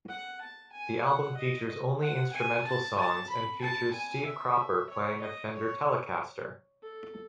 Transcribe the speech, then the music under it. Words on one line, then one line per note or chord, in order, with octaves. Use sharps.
The album features only instrumental songs and features Steve Cropper playing a Fender Telecaster.
F#5
A5
G#5
F#5
D#5
F#5
G#5
A5
A5
B5
A5
G#5
E5
C#5
D#5
C#5
A4